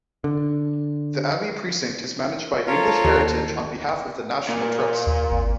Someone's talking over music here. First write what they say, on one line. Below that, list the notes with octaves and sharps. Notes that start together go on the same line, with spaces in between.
The Abbey precinct is managed by English Heritage on behalf of the National Trust.
D3
F4 A4 A#4 C5 C#5 A5
D#2
A#2
D#2
G#1